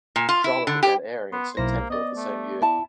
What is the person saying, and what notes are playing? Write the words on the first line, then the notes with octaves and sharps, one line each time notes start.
The drama began airing in September of the same year.
A#2
F4
E4
D3
G4
B3 C6
B1 A#3 E4 C5 A#6
B3 D5 D#5
A3
E4 A5